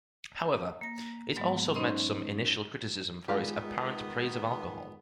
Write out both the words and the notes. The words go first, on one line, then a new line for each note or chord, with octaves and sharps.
However, it also met some initial criticism for its apparent praise of alcohol.
A#3 A#6
G#2 F#3 G#3 B3
C#4 D#4 C5 D#5 B5 C6
D#3 G#3 B3 F4 G4 G#4 F5 F#5